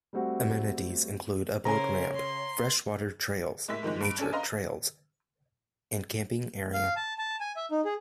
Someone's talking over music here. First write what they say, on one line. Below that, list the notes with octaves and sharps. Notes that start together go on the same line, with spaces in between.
Amenities include a boat ramp, fresh water trails, nature trails, and a camping area.
G3 A3 C4 F#4
C#3 A#4 C5 C#5 G#5 A#5
C6
A2 G#3 A#3 E4 B6
G#2 D#3 F3 G#3
G2 B5 D7
C#4 D4 A4 G#5
B4 D#5 F5 A#5 C6
F5
A5
A5
G#5
E5
D#4
G#4